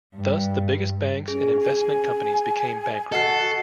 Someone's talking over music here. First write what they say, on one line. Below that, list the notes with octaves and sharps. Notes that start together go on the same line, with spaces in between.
Thus the biggest banks and investment companies became bankrupt.
G2
C#4 G#4
G#5
F#4 A4 D#5 F#5 C7